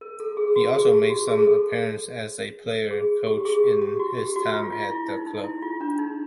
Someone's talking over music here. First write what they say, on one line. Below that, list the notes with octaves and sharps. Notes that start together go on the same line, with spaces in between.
He also made some appearances as a player-coach in his time at the club.
A#4
A4
G#4
F#4
G#4
G4
F#4
G#4
A4
G#4
G4
G#4
G4
G4
F#4
G4
F#4
F4
F4
E4
D#4
D#4
E4
F4
D4
D#4